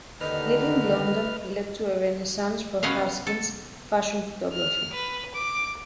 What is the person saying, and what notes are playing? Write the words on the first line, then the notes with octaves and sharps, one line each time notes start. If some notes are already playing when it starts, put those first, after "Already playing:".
Leaving London led to a Renaissance for Haskins’ fashion photography.
D#2 D3 D#3 B4 D#5 F6
B2 F#3 C#4 D#5 F5
A4
F6
B4
D6